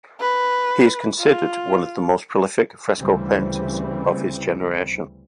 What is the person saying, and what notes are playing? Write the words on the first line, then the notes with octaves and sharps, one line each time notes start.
He is considered one of the most prolific fresco painters of his generation.
B4
F4
D2 C#3 E3 G3 C4